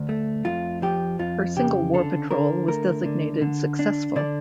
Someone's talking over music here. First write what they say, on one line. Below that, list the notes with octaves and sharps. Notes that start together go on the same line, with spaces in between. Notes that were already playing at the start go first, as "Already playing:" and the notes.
Her single war patrol was designated "successful".
Already playing: D2
A3
F2 F4
F3 G4
F2 F4
C#3 G4
D3 A4
D3 A#4
A3 A#4
D3
D3
D4
D3 D5